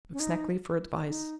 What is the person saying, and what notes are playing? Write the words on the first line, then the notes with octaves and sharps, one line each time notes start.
McSnagley for advice.
C#4
D#4
D#4